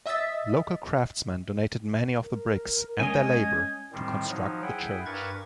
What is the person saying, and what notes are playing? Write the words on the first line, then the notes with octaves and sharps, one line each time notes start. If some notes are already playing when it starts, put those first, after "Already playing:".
Local craftsmen donated many of the bricks and their labor to construct the church.
D#5 E5 D#6 E6 A6 B6
A#4
G#3 C#4 C#5 D#5 G#5
G#6
A2 D#3 G3 C4
F3 F#3 D#4
E4 G#4 F#5 G5
G2 A#4 B4 C#6 G#6 A6